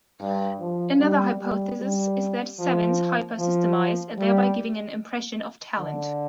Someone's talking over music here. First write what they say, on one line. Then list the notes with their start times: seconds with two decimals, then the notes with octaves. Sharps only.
Another hypothesis is that savants hyper-systemize, thereby giving an impression of talent.
0.20 G2
0.59 F3
0.99 G3
1.39 G3
1.79 G3
2.59 F3
3.39 F3
4.18 G3
5.78 D3